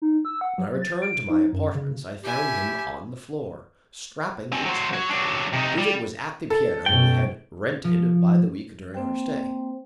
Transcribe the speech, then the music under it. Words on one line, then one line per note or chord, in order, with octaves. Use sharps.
When I returned to my apartments, I found him on the floor, strapping a trunk. Brigitte was at the piano we had rented by the week during our stay.
D#4
E6
F#5
F#3
A6
D7
D#4
F#2
C#3
E4 G4 G#5
C4 G#5
F#3 C5
F#4 C#5
F#3 D4
C3 D#4
G3
A4
F#2 B2 G5
F3
A#3 C4 C5 G5